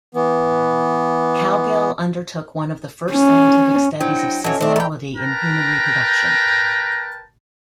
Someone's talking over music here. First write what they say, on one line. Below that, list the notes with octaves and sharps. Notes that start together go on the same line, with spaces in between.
Cowgill undertook one of the first scientific studies of seasonality in human reproduction.
E3 B3
C#4
F#3 D4 E4 C5 G5
A#6 C#7
E3 F#3 C#4 A4 D#5 A5
A3 C4 D4
A4 G5 A#5 B5
A#4 B4 G5 A5 A#5